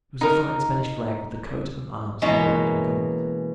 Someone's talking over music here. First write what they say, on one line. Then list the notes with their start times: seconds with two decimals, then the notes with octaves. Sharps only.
It was a fine Spanish flag with the coat of arms embroidered in gold.
0.21 D#4 A#4
2.22 B2 E3 G#3 A#3 C#4